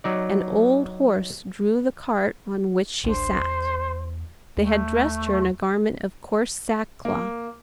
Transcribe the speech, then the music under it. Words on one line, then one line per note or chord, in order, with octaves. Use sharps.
An old horse drew the cart on which she sat. They had dressed her in a garment of coarse sackcloth.
F#3 D#4 D5
A1 D2 D4 C5
E2
D#2 A3
A#3